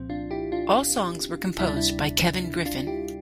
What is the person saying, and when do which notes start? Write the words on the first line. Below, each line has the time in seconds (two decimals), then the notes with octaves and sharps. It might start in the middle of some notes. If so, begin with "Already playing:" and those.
All songs were composed by Kevin Griffin.
Already playing: C2 A#2 F3 C4
0.10 D4 F4
0.31 E4 G4
0.52 D4 F4
1.59 D2 C3 G3 E4
1.67 D4
1.76 E4
2.44 E4
2.66 D4 F4
2.87 E4 G4